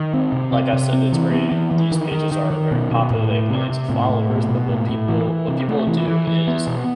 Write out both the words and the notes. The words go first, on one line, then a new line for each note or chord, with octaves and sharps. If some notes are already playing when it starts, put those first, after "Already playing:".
like I said, it's very these pages are very popular, they have millions of followers, but what will people what people will do is
Already playing: D#3
C4
C3
C3
C3
C4
E3
B3
E3
E3
D#3
D#3
D#3
D#3
B2
B2
A2
A2
C3
C3
A2
A2
B2
B2
A2
A2
E3
E3
C3
A3
E3
E3
E3
B3
B2